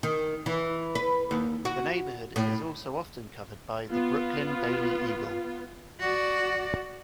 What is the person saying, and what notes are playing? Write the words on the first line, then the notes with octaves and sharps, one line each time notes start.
The neighborhood is also often covered by "The Brooklyn Daily Eagle".
D#3
E3
B4
D#2
F#4
A2
B3 F4
F#4 D5